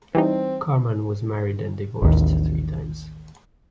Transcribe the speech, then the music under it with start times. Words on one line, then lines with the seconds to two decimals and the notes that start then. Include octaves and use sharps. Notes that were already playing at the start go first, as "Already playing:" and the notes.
Carman was married and divorced three times.
0.15 E3 G3 C4 D#4
2.02 A1 D#2